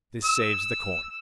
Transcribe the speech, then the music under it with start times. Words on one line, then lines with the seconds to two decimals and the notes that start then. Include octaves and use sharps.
This saves the corn.
0.25 E6